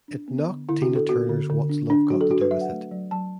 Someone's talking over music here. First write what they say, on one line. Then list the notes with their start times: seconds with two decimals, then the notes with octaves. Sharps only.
It knocked Tina Turner's What's Love Got To Do With It?
0.08 D4
0.28 B3
0.49 D3
0.69 D3 E4
0.82 F#4
0.89 D4
0.96 A4
1.09 B3 F#4
1.29 D3
1.50 D3
1.69 D4
1.90 D4
2.10 F#3 F#4
2.21 A4
2.30 D4 F#4
2.41 B4
2.51 F#3 E5
2.61 F#5
2.71 A3
2.91 F#3
3.11 F#3 A5